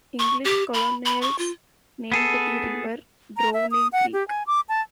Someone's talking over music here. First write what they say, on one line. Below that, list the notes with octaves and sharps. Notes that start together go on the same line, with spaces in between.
English colonials named the river "Drowning Creek".
C#6
G4
B5
B5
C#6
F4
B3 G#4 A4
A#5
E5
D#6
F#5
G4
G#5
D6
A5